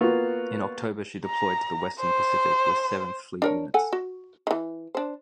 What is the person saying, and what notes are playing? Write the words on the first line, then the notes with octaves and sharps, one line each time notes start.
In October she deployed to the Western Pacific with Seventh Fleet units.
A#3 B3 F4 F#4
A#5
C5
D4 A#4 C#5
A4 F#5 G#5
F#4
D#3 E3
D4 C5